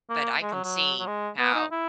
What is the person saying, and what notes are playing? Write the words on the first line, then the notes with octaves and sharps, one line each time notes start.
But I can see how
A#3
G#3
F#3
F#3
F#3
G#3
B3
D#4
E4